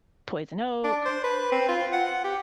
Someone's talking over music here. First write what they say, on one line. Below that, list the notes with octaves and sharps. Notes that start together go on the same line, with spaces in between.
poison oak,
D4
C5
B4
C4
F4
F#5
G4